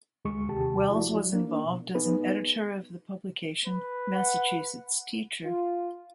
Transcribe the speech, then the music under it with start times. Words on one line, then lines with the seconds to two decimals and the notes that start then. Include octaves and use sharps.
Wells was involved as an editor of the publication "Massachusetts Teacher".
0.25 D2 G#3 C#6
0.49 D#2 C3 G4 G#4 A5
0.89 F3 E4 F#4 D5
1.33 A#3 D4
1.64 B2
1.95 B3 D#4 G#4 B4
3.66 B4
4.13 F#5
5.45 F4